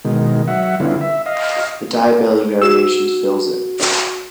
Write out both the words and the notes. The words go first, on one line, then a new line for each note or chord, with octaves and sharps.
The Diabelli Variations fills it.
B2 D#3 G#3
F#3 E5 F#5
D3 G3 B3 C#4 E4 F4
E5
D#5 F5
F#4 E6 E7